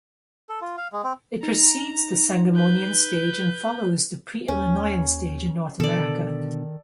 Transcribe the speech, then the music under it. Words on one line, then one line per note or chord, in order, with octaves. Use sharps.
It precedes the Sangamonian stage and follows the Pre-Illinoian Stage in North America.
A4
F4
F5
G#3
C4
D#4 A#5
B4 G6
D#2 C#4
B2 D3 D#3 A4 D5